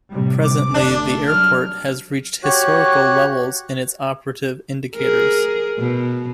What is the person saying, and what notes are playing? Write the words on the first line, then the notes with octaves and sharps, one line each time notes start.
Presently, the airport has reached historical levels in its operative indicators.
A2 C3 G3
D6
F1 D3 A3 D4
F#3 G3 F6
F#4 G4 C#5 F#6
G#4 A#4
B2